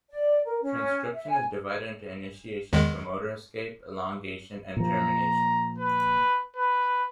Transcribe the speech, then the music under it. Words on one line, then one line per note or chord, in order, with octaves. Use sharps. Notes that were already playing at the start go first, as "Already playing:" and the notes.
Transcription is divided into "initiation", "promoter escape", "elongation," and "termination".
D5
A#4
C#4
E5
G#5
E2 D#3 G#3
A#2 F3 A#5
B4
B4